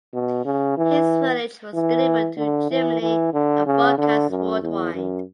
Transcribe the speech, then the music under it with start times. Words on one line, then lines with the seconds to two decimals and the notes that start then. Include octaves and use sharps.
His footage was delivered to Germany and broadcast worldwide.
0.13 B2
0.45 C#3
0.77 E3
1.74 E3
2.37 D3
2.70 E3
3.02 E3
3.33 D3
3.66 C#3
3.98 D3
4.29 F#2
4.62 E2
4.94 F#2